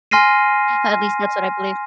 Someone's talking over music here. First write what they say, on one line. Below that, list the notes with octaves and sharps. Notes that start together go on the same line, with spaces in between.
At least, that's what I believe.
G#5 C6 F6 A#6 C7 D#7